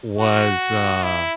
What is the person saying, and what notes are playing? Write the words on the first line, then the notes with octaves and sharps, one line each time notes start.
was, uh,
F#4
E4